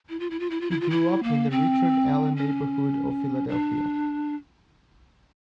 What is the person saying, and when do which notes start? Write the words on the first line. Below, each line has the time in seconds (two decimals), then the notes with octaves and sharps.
He grew up in the Richard Allen neighborhood of Philadelphia.
0.09 E4
0.20 F4
0.30 E4
0.40 F4
0.50 E4
0.61 F4
0.70 E4
0.80 F4
0.90 E4
1.23 A#3
1.51 C4
2.36 C#4
3.48 D4